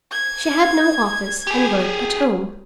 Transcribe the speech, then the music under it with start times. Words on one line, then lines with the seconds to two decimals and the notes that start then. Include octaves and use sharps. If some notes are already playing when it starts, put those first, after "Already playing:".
She had no office, and worked at home.
0.12 G#6
1.47 G4 G#4